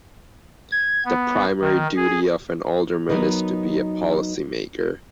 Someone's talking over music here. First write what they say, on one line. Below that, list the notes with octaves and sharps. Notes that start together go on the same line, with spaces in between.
The primary duty of an alderman is to be a policy maker.
G#6
B3
D#3
G#4
F#3 B3 D#4 A#4 B4 D#5